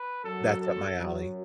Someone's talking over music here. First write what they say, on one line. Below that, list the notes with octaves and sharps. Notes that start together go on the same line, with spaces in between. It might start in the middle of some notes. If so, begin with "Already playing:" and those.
that's up my alley.
Already playing: B4
F#2 F#3 A4
A4
F#2 F#3